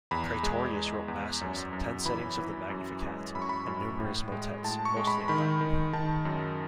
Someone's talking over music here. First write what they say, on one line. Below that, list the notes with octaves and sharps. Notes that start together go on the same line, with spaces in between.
Praetorius wrote masses, ten settings of the Magnificat, and numerous motets, mostly in Latin.
E2 B5
G#3
G#3
E2
F#2
F#2
E3 B5
E3
F#2
G#3
F#2 B5
C#6
B5
F#2
A2
G#3
A2 A5
C#6
G#3
B5
D#3 B5
D#3
D#3 A5
F#2